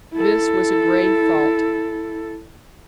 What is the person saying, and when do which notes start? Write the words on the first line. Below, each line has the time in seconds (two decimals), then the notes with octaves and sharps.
This was a grave fault.
0.13 E4 A4